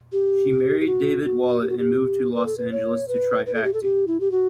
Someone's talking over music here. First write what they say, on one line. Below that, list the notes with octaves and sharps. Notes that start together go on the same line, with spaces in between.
She married David Wallett, and moved to Los Angeles to try acting.
G4
G4
F#4
F#4
G4
F#4
G4
B4
A4
B4
C#5
B4
B4
A4
G4
A4
G4
E4
G4
F#4